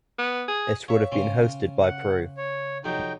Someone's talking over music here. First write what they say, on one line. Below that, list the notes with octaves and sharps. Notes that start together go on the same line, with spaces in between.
It would have been hosted by Peru.
B3
G#4
C#5 E5 F5
C#3 C4 C#4
F#5
C#5
F2 C3 F#3 D#4 G5